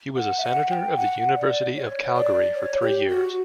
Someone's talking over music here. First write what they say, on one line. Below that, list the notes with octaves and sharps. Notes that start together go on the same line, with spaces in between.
He was a Senator of the University of Calgary for three years.
F#5
E5
F#5
G5
F#5
D5
C#5
D5
C#5
G4
F#4